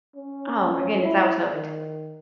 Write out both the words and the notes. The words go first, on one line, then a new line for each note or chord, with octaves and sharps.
oh my goodness, I was hooked.
C#4
E4
D#3